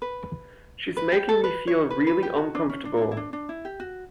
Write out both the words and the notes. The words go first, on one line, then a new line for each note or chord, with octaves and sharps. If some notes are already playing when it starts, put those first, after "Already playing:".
She’s making me feel really uncomfortable.
B4
B4
G4
A4
B4
C#5
B4
B4
G4
F#4
D4
C#4
D4
E4
D4
E4
D4
D4
E4
G4
F#4